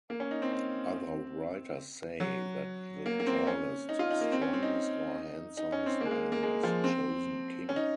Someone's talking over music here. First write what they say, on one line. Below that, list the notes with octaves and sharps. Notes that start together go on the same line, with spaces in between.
Other writers say that the tallest, strongest, or handsomest man was chosen king.
A#3
C#4
D#4
C4
C4
F#3
A#3
A#3
C4
C#4
D#4
F4
D#4
A#3
C4
C#4
C4
D#4
D#4
C#4
C4
A#3
G#3
A#3
A#3
G#3
F3
C4
C#4
D#4